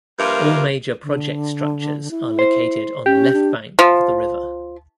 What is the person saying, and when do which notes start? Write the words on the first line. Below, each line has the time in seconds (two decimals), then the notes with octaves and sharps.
All major project structures are located on the left bank of the river.
0.19 G2 F3 A#3 F4 A#4 E5
1.03 D3
2.11 E4
2.39 C5
3.06 C#4 G4
3.33 D4
3.79 F3